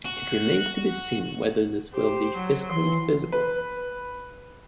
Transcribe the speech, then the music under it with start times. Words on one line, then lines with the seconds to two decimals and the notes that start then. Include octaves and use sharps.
It remains to be seen whether this will be fiscally feasible.
0.05 F#4
1.93 G4 C5
2.36 F#3
2.69 E3 C6
3.32 B4